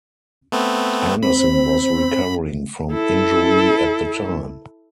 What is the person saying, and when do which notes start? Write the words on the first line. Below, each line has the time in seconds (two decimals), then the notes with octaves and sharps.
Anderson was recovering from injury at the time.
0.52 A3 B3 C4
1.23 C4 B5
2.93 E4 A4